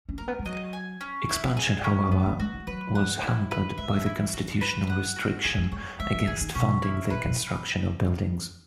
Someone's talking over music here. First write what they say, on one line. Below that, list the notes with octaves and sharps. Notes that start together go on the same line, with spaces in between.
Expansion, however, was hampered by the constitutional restriction against funding the construction of buildings.
C#4
A#3 A#4
B3
G#3
F#3 D#5
G#5
C#4
E4
G#4
C#4
G#3 B3
A#3
G#3 F#4
E3
F#3 B4
F#5
E4
B4
G#3 E5
E4
F#3 F#4
B4
F#5
F#4
E3 G#4
G#3
G#3 C#5
G#3 E5
F#3
E3 G#4
D#3
B2 C#4
E4
A#2 B4
B2